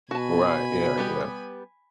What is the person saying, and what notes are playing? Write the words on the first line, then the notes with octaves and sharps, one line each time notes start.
Right, yeah, yeah.
B2 F#4 G#5 A5 B5
G3 B3 G4